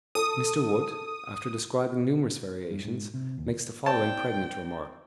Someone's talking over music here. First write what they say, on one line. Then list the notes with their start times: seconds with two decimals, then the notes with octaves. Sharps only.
Mr. Wood, after describing numerous variations, makes the following pregnant remark.
0.15 A4 D#6
2.71 G2
2.84 G#2
3.14 C3
3.38 D#2
3.86 C4 D5 G5 A5